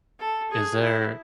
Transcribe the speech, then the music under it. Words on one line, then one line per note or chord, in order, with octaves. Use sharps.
is there
A4
G#4
E4